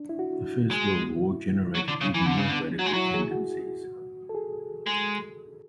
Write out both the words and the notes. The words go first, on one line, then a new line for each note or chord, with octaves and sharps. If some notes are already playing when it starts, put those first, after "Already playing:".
The First World War generated even more radical tendencies.
Already playing: D4
E4
F#4
G#3
E4
F#3
D3
C#3
E3
D3 D4
C#3
D3 B3
F#3 F#4
G#3
F#3 E4
G#4
F#4
A4
G#4
G#3